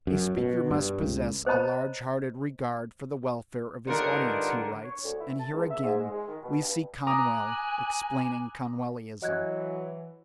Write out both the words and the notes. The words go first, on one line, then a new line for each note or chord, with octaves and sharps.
"A speaker must possess a large-hearted regard for the welfare of his audience," he writes, and here again we see Conwell explaining Conwellism.
F#2
B2
G2
C#2
C5 C#5 D#5 A#5 B5
G2 D3 D#4 F4 A#4 F#5
C#5
D2
E4
A5
C#2
E5
G#2
G#3
G#3
D#3
B2
G2
G#5 A#5 D6 D#6 F#6
E3 F#3 D#5 F#6 G#6